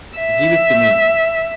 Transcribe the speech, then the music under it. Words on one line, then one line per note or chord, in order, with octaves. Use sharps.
Give it to me!
E5